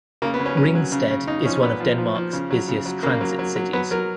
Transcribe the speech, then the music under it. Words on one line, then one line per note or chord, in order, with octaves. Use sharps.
Ringsted is one of Denmark's busiest transit cities.
C#3 A#3
B3
C#3
C#4
F#3 C#4
F#3
C#3
C#3
C#3 D#4
F3 C#4
A#2 B3
F3
F3
F3
C#3
F#3
C#3
F#3
C#3 A#3
F#3
F#3
F#3
F#3 B3
F#3 A#4